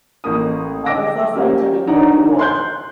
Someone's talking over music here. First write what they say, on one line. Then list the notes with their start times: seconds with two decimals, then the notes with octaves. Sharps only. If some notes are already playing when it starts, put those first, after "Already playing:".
Others are cited in later works.
0.24 A1 A#3 D#6
0.86 D#5 G5 D6 E6 A#6 D7
1.35 A#3 C#4 G4
1.87 D4 D#4 C#5 D5 F#5 A#5
2.39 C6 F#6 G6